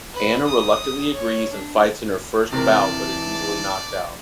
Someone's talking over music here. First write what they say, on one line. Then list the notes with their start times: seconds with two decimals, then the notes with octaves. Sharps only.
Anna reluctantly agrees and fights in her first bout but is easily knocked out.
0.14 B4
0.48 D#6
1.14 C#5
1.54 D4
2.52 C3 E3 A#4 D5 A5